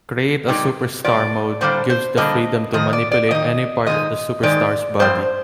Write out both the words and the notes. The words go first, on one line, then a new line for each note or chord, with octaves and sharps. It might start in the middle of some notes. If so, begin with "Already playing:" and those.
"Create-A-Superstar mode" gives the freedom to manipulate any part of the superstar's body.
A#2 G3 A#3 D#4
A#2 G3 D5
D3 G3 A#3 D4 C5
C5
D3 G3 A#3 D4 D#5
F2 D#3 D#5
D5
D5
F2 D#3 D#4 D#5
G#2 D#3 G#3 D#4 D#5
G#2 D#3 G#3 D#4 D5
G2 F3 C4 C5